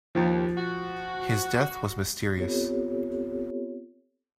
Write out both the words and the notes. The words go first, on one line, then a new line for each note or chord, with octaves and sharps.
His death was mysterious.
D#2 F3
F#4
B3 C4 F4 G4 A4 C#5